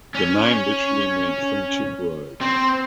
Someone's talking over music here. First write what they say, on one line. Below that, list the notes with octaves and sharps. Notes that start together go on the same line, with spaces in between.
The name literally means "Friendship Road".
C#4
C4